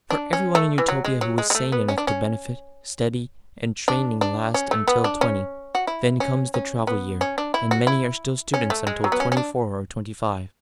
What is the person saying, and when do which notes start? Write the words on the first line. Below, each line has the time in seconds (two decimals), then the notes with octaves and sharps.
For everyone in Utopia who is sane enough to benefit, study and training last until twenty; then comes the travel year, and many are still students until twenty-four or twenty-five.
0.11 D4
0.33 C#4
0.55 A3
0.78 E3
0.88 F#3
1.05 G#3
1.21 F#3
1.38 G#3
1.50 G#3
1.55 A3
1.72 B3
1.88 C#4
1.98 D4
2.07 C#4
3.88 D4
4.21 D4
4.54 C#4
4.71 A3
4.88 B3
5.04 D4
5.21 C#4
5.75 F#4
5.87 E4
6.20 C#4
6.54 C#4
6.87 B3
7.21 C#4
7.38 D4
7.54 E4
7.71 F#4
7.87 E4
8.54 C#4
8.70 A3
8.87 G#3
9.04 F#3
9.12 B3
9.20 C#4
9.32 C#4
9.37 D4